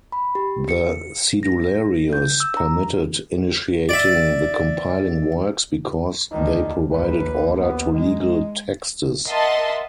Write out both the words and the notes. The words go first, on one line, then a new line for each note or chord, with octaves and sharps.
The "cedularios" permitted initiating the compiling works, because they provided order to legal texts.
B5
G4
C#7
A#6
G6
E6
A#5
D5 E5
D2 D#3 D#4
A#1 D#2 B4
B3
G#3 D#4
A#4 D#5 E5 F#5 A5 C6